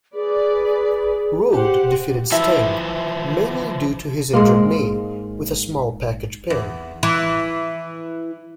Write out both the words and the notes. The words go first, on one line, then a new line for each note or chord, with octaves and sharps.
Rude defeated Sting, mainly due to his injured knee, with a small package pin.
G#4 B4 D5
G4 C5 F#5
E3 F3 E4 E5 A5
G#2 G#3 A#3
E2
E3